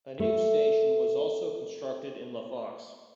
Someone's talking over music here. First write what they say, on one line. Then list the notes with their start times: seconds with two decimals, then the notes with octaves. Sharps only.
A new station was also constructed in LaFox.
0.20 A3